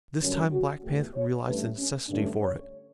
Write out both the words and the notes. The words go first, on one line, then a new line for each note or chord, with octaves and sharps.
This time Black Panther realized the necessity for it.
F#2 D3 G3 C#4
F#4
E2 B2 A3 G4
C#5
G2 E3 A3 C#4 B4
C#4
G2 D3 A3 C#4 D4
C#5